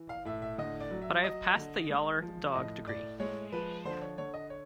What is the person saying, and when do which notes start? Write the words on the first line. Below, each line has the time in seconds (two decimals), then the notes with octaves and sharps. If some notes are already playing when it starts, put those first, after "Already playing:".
But I have passed the yaller dog degree.
Already playing: E3
0.09 F5
0.25 A2 E5
0.42 E5
0.58 D3 D#5
0.80 D5
0.91 F#3
1.02 E5
1.24 F#3 D#5
1.57 D3
1.89 G#3
2.22 F3
2.54 A2 D#5
2.87 A2 D5
3.20 G#3 C#5
3.52 F3 B4
3.85 D3 C5
4.02 C#5
4.18 D3 C#5
4.34 D#5
4.50 C#5